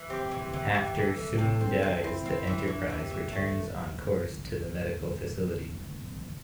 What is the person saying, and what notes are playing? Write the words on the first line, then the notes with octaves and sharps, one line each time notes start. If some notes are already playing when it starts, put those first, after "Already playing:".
After Soong dies, the "Enterprise" returns on course to the medical facility.
Already playing: E3
C4 G4
E3
G4
E3
E3 G4
E3
A4
E3
C3 A4
C4
C4
C4 E4
C4
E3
E3 D4
E3
G4
E3
A3